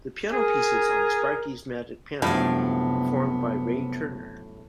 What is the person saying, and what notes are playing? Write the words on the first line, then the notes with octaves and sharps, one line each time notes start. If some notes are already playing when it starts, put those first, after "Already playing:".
The piano pieces on "Sparky's Magic Piano" were performed by Ray Turner.
G#4 A#4
F#2 A2 C3 F3 G3 B3 D4 F5